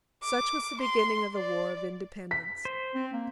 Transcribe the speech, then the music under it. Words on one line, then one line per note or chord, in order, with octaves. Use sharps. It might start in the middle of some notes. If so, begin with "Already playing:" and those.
Such was the beginning of the war of independence.
D6
C6
D5
B6
C5
C4
A#3